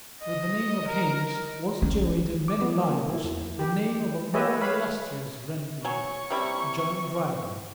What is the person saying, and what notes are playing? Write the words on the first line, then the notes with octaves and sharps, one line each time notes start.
With the name of Haines was joined, in many libels the name of a more illustrious renegade, John Dryden.
D#5
A#4
C#4
D6
B3
F#3
A#3
E4
E2
G4
G4 B4 C#5 D#5 E5 G#5
B4 C#5 F5 B5
F#3 G#5 C#6
C3 G3 E4